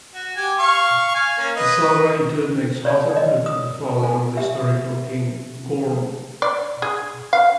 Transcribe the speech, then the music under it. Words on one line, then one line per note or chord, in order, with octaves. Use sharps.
The saga in turn makes Harthacnut the father of the historical king, Gorm.
F#4
G4 G#5
F5 C#6
F5 G#5
A#3 C#4
B4 D#5
C#5 D5
D#5
D#6
G#5
G4 E5
D5
G#4
F5